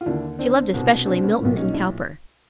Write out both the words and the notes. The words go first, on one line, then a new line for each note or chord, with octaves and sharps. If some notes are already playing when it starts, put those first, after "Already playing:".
She loved especially Milton and Cowper.
F4
D#2 D3 D4 E4
C4 D4
C2 B2
C4 D4
B3 C#4
B1 A#2
C#4 D#4
D4 E4